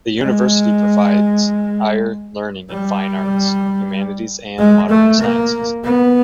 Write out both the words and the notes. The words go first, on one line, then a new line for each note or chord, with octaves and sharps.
The university provides higher learning in fine arts, humanities and modern sciences.
G#3
G3
G#3
A3
A#3
B3